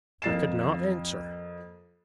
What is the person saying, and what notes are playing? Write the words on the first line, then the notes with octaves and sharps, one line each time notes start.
I could not answer.
F2 A#3 A6 C7 E7